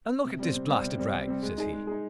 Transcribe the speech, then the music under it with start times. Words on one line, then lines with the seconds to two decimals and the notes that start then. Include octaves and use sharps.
And look at this blasted rag, says he.
0.24 C3
0.39 G3 C4
0.54 C3
0.68 G3 C4
0.84 C3
0.98 G3 C4
1.13 C3
1.28 G3 C4
1.43 G#3
1.58 D#4 G#4
1.73 G#3
1.87 D#4 G#4